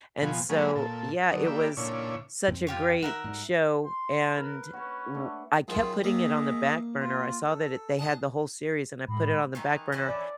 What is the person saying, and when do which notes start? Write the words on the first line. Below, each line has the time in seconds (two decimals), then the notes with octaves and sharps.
And so, yeah, it was such a great show, and w I kept putting it on the back burner. I saw that it they had the whole series, and I put it on the back burner,
0.22 B2 F3 B3 G#5
0.49 F#3 G#3 A#3 C#4 G#4 B4
0.75 A#2 A4
1.32 D3 F#3 D#4
1.46 A#3 G4 B4 D5 E5
1.77 A#2 C#3 D4 E4 C#5
2.48 F2 C4
2.67 F4 G4 C#5
3.02 D#3 F#4 A#4 E5
3.24 G#2 G3
3.85 C6
4.37 A#4 B4
4.73 C#4 F#4 B4
5.14 A3 D4
5.68 F#2 D#3 F4 G#4
6.04 A#3 G#4 D#5 E5
7.00 F4
7.46 A4
7.99 D4 G#4 D#5 A5
9.08 A2 G#3 B5
9.55 D#3 E3 D#4
9.92 E3 C#4 E4
10.08 D5